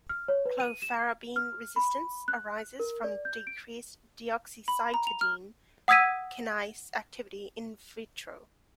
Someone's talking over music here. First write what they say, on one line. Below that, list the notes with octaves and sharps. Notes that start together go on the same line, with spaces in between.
Clofarabine-resistance arises from decreased deoxycytidine kinase activity in vitro.
F6
C#5
B4
D#7
E7
F6
B5
F#6
A#4
D5
G6
D7
B5
A#5
F7
F6
F#5 D#6 E6 G#6 B6 D#7